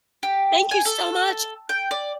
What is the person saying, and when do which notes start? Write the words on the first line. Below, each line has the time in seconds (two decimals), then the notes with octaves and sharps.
thank you so much,
0.23 G4
0.71 G#5
0.85 A4
1.69 G5
1.91 D5